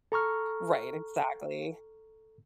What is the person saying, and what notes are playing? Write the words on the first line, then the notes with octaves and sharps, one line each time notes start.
right, exactly.
A4 A#5 C#6 F6